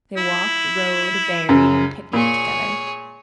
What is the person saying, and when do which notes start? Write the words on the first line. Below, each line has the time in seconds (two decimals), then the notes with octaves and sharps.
They walked, rowed, berried and picnicked together.
0.17 E4
1.49 F#2 C#3
2.13 A#2 G#4 C#5